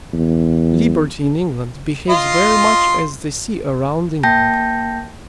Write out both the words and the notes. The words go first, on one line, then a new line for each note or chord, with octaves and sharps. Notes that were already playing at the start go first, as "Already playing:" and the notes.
Liberty in England behaves very much as the sea around England.
E2
F4 D#5 C6
A#3 G5 A5 G6 A#6